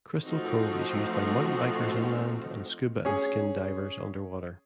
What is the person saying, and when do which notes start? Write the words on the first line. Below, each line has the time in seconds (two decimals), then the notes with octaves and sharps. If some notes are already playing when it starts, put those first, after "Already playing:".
Crystal Cove is used by mountain bikers inland and scuba and skin divers underwater.
0.22 F3 A3 C4 D#4 F#4
3.05 C#4 G#4